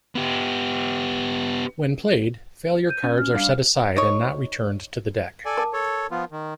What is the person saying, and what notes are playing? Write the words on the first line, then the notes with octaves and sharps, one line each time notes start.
When played, failure cards are set aside and not returned to the deck.
B3 G4
G6 D#7
C#4
F6
G3 D4 F5
D#4 A#4 C#5
A4 D5 G#5
A#4 A5 D6
A4 C#5
F3 B3 F4
D#3